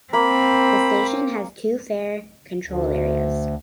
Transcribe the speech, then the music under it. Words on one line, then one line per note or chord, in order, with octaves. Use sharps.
This station has two fare control areas.
A#3 C4 B5
D2